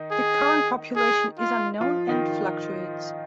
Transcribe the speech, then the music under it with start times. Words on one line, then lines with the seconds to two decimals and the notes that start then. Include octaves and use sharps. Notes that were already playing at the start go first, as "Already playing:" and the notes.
The current population is unknown, and fluctuates.
Already playing: D#3 D#4
0.11 G#4
0.96 G#4
1.39 F4
1.80 F3 F4
2.09 D#3 D#4